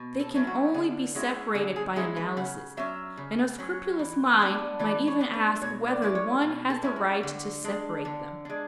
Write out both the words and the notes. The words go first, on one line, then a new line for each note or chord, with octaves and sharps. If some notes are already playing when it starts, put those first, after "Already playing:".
They can only be separated by analysis, and a scrupulous mind might even ask whether one has the right to separate them.
Already playing: B2
A4
F#3 A3 C#4 E4
F#4
D3 G#4
G#3 C#4 E4 F#4
D3 G#4
G#4
G#3 C#4 E4 G#4
B4
C#3 F#5
F#3 C#4 E5
C#3
F#3 C#4
E3
B3 D4
E3 D5
C#5
B3 D4
B4
B2 C#5
D5
G#3 C#4 E4 D5
C#5
B2
A4
G#3 C#4 E4
F#4
D3
G#3 D4
D3
G#3 D4